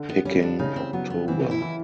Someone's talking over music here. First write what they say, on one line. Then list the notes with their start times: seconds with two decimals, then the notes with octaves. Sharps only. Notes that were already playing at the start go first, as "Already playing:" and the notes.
Picking October.
Already playing: D3
0.09 B3
0.25 G3 C#4
0.42 D4
0.59 C#3 D#4
0.76 C4
0.93 F#3 B3
1.10 B3
1.28 E3 C4
1.51 E4
1.62 E3